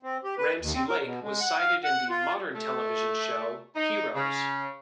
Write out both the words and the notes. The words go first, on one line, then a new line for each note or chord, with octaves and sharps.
Ramsey Lake was cited in the modern television show "Heroes".
C4
G4
B4
D#2
C4
A#4
B2
G#3
F#5
F5
F#5
F4
A3
D#4
C#3